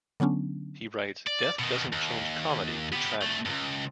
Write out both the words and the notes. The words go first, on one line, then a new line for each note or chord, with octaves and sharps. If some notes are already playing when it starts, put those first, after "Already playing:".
He writes Death doesn't change comedy to tragedy.
D3 F#3 B3 C#4 D4
D5
B2 D#3
D#2
B3 G4
C2 A3
C#2 G2